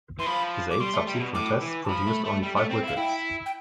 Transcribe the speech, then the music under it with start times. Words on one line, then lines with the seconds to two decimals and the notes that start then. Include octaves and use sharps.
His eight subsequent Tests produced only five wickets.
0.19 E3 C6
0.26 F3 B5
0.71 D6
0.80 G3 C6
0.93 A3
1.07 G3
1.14 C3
1.20 B2
1.34 A2 D6
1.61 E3
1.84 A5
1.89 F3 B5
2.07 A3
2.25 A3
2.43 G3
2.57 A3
2.71 C4
2.84 E4 F5
2.97 E4 G5
3.46 G5